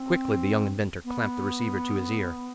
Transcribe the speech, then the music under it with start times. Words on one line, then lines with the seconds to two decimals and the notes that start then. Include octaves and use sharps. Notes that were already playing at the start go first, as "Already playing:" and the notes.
Quickly the young inventor clamped the receiver to his ear.
Already playing: C4
1.04 B3